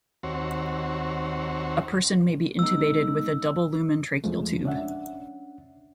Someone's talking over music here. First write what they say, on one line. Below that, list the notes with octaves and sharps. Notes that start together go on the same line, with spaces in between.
A person may be intubated with a double lumen tracheal tube.
D#2 C4 F#4 C#5
G#3 B3 D#4 E6
E2 F3 G#3 A3
C#4 D4 E5 F#5